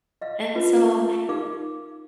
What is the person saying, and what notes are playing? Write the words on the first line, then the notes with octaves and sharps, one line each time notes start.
And so
D#5 F5 F#5
C#4 F4 B4 G5
D#4 G4 A#4 F5 D6